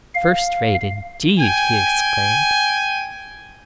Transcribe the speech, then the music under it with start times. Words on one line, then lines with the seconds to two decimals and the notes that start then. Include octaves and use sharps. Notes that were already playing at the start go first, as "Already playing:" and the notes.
'First rate, indeed!' he exclaimed.
0.15 F5
1.39 G5 G#5